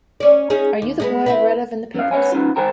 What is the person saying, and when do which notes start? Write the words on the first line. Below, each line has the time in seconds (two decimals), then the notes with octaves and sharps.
Are you the boy I've read of in the papers?
0.20 C#4 D5
0.50 C#4 D#4 G#4
0.82 D#2
1.00 G#3 A3 B3
1.26 C4 E4 B4
1.94 F#2 F5
2.11 B3 C#5 E5 G#5
2.32 B3 C#4 D#4 F4
2.56 A#4 C5 G5 G#5 A#5